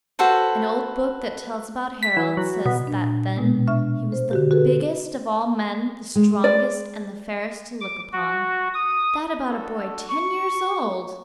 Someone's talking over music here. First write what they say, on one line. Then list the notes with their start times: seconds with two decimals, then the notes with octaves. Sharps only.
An old book that tells about Harald says that then "he was the biggest of all men, the strongest, and the fairest to look upon." That about a boy ten years old!
0.19 F#4 A4 B4 C5
2.03 B6
2.17 E3
2.37 F#3
2.66 B2
2.87 A#2 D4
3.36 B2 G#3 B3
3.67 D4 E5 C#6 F6
4.12 C5
4.31 D3 F#4 G4
4.51 F#4 G#4 A4 B4
6.16 G#3
6.44 D5
7.81 D6
8.13 F#4
8.74 D#6
9.47 D4 F#4 A4
10.09 C#6